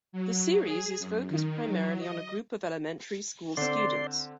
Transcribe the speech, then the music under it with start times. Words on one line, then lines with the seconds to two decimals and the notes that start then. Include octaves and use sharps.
The series is focused primarily on a group of elementary school students.
0.12 F#3
0.63 G#4
0.99 F#2
1.29 D#3
1.67 F#3
2.00 D#5
3.57 D3 C4 D5 C6